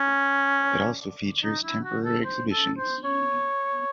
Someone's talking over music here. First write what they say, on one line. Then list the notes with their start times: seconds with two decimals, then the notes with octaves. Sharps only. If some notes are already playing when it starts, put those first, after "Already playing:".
It also features temporary exhibitions.
Already playing: C#4
1.44 D#4
1.64 E4
1.84 F#4
2.05 A4
2.25 C5
2.52 A4
2.78 C5
3.05 C#5